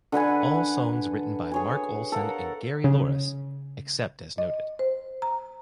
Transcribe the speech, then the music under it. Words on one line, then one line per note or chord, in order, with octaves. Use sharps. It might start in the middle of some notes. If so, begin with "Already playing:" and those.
All songs written by Mark Olson and Gary Louris except as noted.
D3 B4 F#5 G#5
G#4 C#5 G#5
A4 A#4 F5 F#5
C#3
D#5
C5
A#5